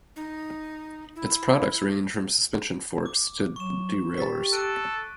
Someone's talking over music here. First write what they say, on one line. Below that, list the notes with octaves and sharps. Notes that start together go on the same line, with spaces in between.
Its products range from suspension forks to derailleurs.
D#4
E4
D6
F#3 C#6 E7
G4 A6 B6
A4 F#6 D7 D#7